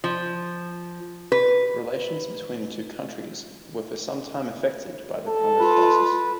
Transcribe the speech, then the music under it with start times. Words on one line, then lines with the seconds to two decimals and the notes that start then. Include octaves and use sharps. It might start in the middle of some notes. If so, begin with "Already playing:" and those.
Relations between the two countries were for some time affected by the Congo Crisis.
0.04 F3
1.32 B4
5.28 A4
5.59 F4 B4